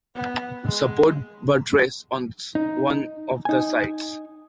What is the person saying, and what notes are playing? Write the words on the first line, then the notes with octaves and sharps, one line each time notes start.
Support buttress on one of the sides.
B3
G#3
D#4
D#4 G#5